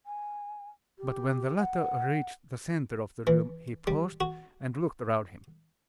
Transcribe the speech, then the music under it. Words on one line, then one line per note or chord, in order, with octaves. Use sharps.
But when the latter reached the centre of the room, he paused and looked around him.
G#5
G4
F#5
E3
G3
F#4